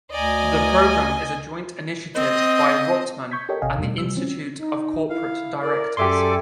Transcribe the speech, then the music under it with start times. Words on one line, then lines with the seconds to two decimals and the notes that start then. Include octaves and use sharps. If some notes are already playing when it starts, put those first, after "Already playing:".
The program is a joint initiative by Rotman and the Institute of Corporate Directors.
0.12 D2 D5 D#5 G#5 A#5
2.15 C4 D#5
3.31 C#6 G6 G#6 B6
3.49 G4 A4 A#4 C#5 D#5 G5
3.62 A1 C3 D#5 F5 G#5
3.78 E2 B2 G3 A3
3.98 C3 G3 E6
4.16 E3 C4 C#4
4.59 D#4
5.10 E4 F5
5.62 A#4 D5
5.97 F#2 G4 A4 D5 E5 G#5 C6 D6